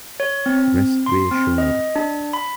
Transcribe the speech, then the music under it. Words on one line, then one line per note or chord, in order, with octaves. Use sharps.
Rest reassured.
C#5
C4
C6
C4
D#5
D4
B5